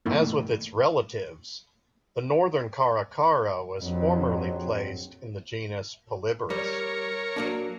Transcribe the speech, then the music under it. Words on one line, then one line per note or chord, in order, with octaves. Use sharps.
As with its relatives, the northern caracara was formerly placed in the genus "Polyborus".
G2 B2 D#3 E3 A3 A#3
A#1 F2 F#3 C4
G3 A#4 C#5
F#3 A#3 D4